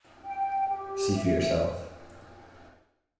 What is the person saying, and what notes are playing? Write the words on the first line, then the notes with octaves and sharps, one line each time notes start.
See for yourself.
G5
G4
E5